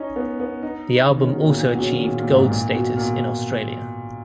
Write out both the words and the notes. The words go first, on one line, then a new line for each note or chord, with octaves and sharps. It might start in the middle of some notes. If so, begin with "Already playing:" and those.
The album also achieved gold status in Australia.
Already playing: C#4 D#4
B3
B3
D#4
D#3
C#3
B2
A#2
A#2
A#2
B2
C#3
D#3
A#2
A#2
G#2
A#2
A#2
B2
A#2